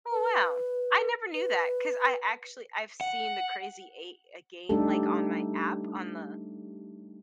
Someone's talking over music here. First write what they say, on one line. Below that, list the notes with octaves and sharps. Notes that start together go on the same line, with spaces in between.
Oh, wow. I never knew that, 'cause I, actually I've seen the Crazy Eight, uh, game, like, on my app, on the,
B4
B4
F#5
G3 A3 D4 D#4 G4 A4